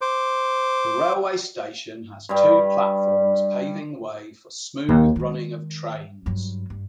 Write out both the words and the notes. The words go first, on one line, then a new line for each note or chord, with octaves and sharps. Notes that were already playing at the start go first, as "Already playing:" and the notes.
The railway station has two platforms paving way for smooth running of trains.
C5 D6
G2 G3
D#2
D#3 G#3
G2 F#3
G2